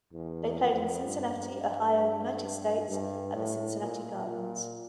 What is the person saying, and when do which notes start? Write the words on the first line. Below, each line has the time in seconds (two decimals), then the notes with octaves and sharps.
They played in Cincinnati, Ohio, United States, at the Cincinnati Gardens.
0.13 E2
0.59 F2
1.05 G2
1.51 G2
2.89 G2
3.35 A2
3.80 A#2
4.27 A#2